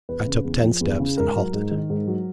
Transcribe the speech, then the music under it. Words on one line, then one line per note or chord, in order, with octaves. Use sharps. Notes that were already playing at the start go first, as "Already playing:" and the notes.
I took ten steps, and halted.
E2 B4
C#3
E2
F3
E2
C#3
G#2 A#4
F#3
G#2
D#3
G#2
F#3